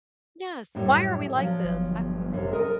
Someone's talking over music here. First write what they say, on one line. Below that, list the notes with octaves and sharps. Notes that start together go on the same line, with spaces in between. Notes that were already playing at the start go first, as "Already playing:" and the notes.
Yes, why are we like this? I you know
F#2 A2 G3
F3 F#3
G1
F#2 C3
A4 A#4 D#5